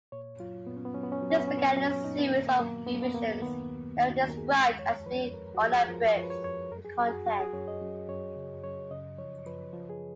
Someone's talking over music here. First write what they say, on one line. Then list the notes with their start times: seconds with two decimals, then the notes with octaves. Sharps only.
This began a series of revisions that were described as being "unabridged" in content.
0.12 A#2 C#5
0.39 F#3 F4
0.67 A#2 B3
0.77 C#4
0.85 B3
0.94 F#3 C#4
1.03 B3
1.12 C#4
1.21 F#3 B3
1.30 C#4
1.39 B3
1.48 A#2 C#4
1.57 B3
1.72 B3
1.77 F#3 C#4
1.91 C#4
2.04 A#2 D#4
2.18 B3
2.32 D#3 A#3
2.39 B3
2.47 A#3
2.59 F#3 A#3
2.87 D#2 B3
2.95 A#3
3.03 B3
3.14 D#2 A#3
3.42 D#3 B3
3.69 D#2
3.97 D#2 D#4
4.10 F#4
4.24 D#2
4.29 A#4
4.37 G#4
4.52 G#3
4.79 F2 C#5
5.06 F3 B4
5.34 F2 A#4
5.55 F#4
5.62 F3 G#4
5.88 F3 A#4
6.16 F3 C#5
6.23 B4
6.30 C#5
6.44 F2 C#5
6.71 F#2 A#4
6.85 G#4
6.98 F#2 F#4
7.08 G#4
7.12 F#4
7.26 F#2 F#4
7.40 G#4
7.53 F#2 C#5
7.68 D#5
7.81 F#2
8.08 F#2 C#5
8.36 C#3
8.64 F#2 C#5
8.91 C#3 D#5
9.18 F3 C#5
9.46 F3 B4
9.73 F3
9.89 G#4